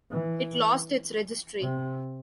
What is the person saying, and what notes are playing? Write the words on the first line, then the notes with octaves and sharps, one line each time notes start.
It lost its registry.
E3
C3